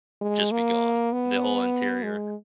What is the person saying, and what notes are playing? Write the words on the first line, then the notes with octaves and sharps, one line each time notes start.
just be gone, the whole interior.
G#3
A#3
B3
G#3